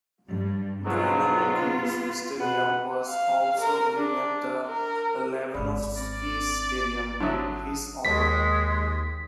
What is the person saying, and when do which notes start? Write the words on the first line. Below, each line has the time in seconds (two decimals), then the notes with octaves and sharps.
Dynamo Kyiv's stadium was also renamed the Lobanovsky Stadium in his honour.
0.29 G2 G3
0.86 G#2 B2 F#3 B3 F4
2.40 B2 B4 F#5
3.09 F5
3.60 A#4
3.95 D4
4.67 A#4
5.54 D1 G#1 D5 B5
5.98 C4 D5
7.20 D3 F#3 E5 A5 D#6
8.05 D#2 G#3 B6